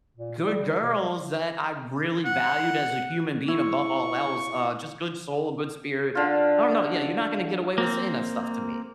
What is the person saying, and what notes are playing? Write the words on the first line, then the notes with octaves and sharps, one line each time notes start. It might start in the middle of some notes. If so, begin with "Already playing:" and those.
good girls that I really valued as a human being above all else. Uh, just good soul, a good spirit. I don't know. Yeah, you're not gonna get away with saying that stuff to me.
A#2
G3
A#4
B2
G3
F#5
E4 C#6
D3 F4
A#3 C4